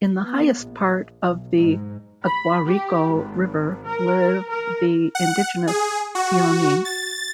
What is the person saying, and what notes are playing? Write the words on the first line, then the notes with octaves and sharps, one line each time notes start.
In the highest part of the Aguarico River live the indigenous Sioni.
B3
A#1
B1
G#2
B5
G4
G#1
A#4
A#4
F#5
G#4
F#4
A6